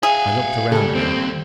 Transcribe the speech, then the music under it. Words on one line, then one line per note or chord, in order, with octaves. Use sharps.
I looked around me.
G#4 E5 F5
C#3 G3 A4
D#2 C4